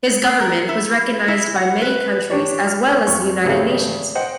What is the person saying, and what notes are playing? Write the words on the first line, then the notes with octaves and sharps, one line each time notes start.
His government was recognized by many countries, as well as the United Nations.
C4
A#4
E4
E4
F#5
B4
C#4 D4 G4 C#5 D5
F6
F2 C#6
G#1 C#3 A3 C4 G4 F5
C5 D#5 F#5 G5